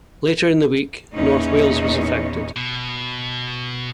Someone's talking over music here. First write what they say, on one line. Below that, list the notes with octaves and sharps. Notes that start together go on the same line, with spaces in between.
Later in the week, north Wales was affected.
E2 A#2 C#4 D#4 C#5 D#5
B2